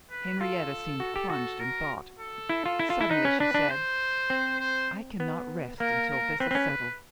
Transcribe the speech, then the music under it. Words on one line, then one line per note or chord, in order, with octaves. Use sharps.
Henrietta seemed plunged in thought. Suddenly she said, 'I cannot rest until this is settled.
B4
F4 A4
F#4
G4
F#4 A4
A#4
A4
E4
F4
E4
F4
E4
D#4 B4
C#4
D4 B4
D4
C5
C4
C5
B3
A#3 A#4
A#4
C4 B4
C4
C#4